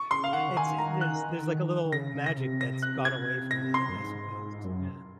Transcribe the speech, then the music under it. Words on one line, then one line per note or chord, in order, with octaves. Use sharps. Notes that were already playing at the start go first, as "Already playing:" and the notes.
It's in there's there's a little magic that's gone away from that, I suppose, yeah.
Already playing: C#6
C#3 C6
F5
D#3 F#5
C#3
D#3 G#5
A#5
F#6
D#3
C#3 A#6
C#3
C#3 A#6
C3
A#6
F#6
G#6
A#6
C6
F#2
G#2
F#2